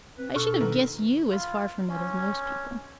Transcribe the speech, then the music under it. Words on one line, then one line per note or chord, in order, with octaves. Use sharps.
I should have guessed you as far from it as most people.
C4 B4
B2 D4 A4 C#6 F6
D#3 B3 A#4
F4
C#4